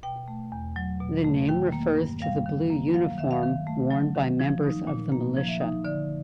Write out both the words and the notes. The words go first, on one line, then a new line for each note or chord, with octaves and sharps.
The name refers to the blue uniform worn by members of the militia.
B2 G5
A3
E2
F#3
B2
A3
D#3 G5
A#3
G2
G3 F5
D#3
A#3
F#3 F5
D#3 E5
F5
D#3
A3
F#3
D#3
F3
D#4
A#2
A#3
F3
E5
D#4
D3 D5